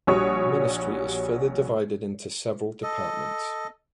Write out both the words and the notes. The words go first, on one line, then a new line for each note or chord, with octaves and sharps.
Ministry is further divided into several departments.
A#1 G3 F#4 C#5 C#6 D#6
A4 D#5